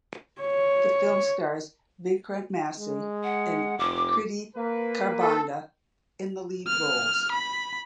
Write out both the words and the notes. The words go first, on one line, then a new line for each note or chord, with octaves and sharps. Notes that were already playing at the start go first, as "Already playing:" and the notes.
The film stars Vikrant Massey and Kriti Kharbanda in the lead roles.
C#5
G#3
F#5
F1 D6
A#3 B4
A4
F6
B5